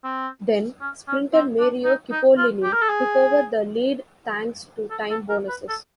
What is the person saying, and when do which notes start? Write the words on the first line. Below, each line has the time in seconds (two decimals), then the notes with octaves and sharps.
Then, sprinter Mario Cipollini took over the lead thanks to time bonuses.
0.04 C4
0.81 C#4
1.07 C#4
1.34 C4
1.60 D4
1.85 D#4
2.12 D#4
2.37 F4
2.63 G4
2.72 A#4
2.82 A4
2.89 G#4
4.90 A4
5.11 A4
5.29 A#4
5.49 B4
5.69 A4